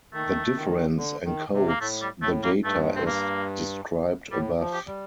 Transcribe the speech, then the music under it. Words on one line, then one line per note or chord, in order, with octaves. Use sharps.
The difference encodes the data as described above.
D#3 A3
D#3
D3
D#3
C3
A#3
A2 A3
G3
A2 A3
A#3
G2 A3
C4
A#3
A2 G3
F3
G4
G3